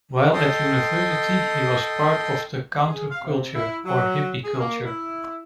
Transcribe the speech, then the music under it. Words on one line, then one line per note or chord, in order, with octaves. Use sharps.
While at university he was part of the counter culture, or hippie culture.
A4 D#5 G5 C6 D#6
G#4
F5
C3
E4
F#3
G#4
A#3
E4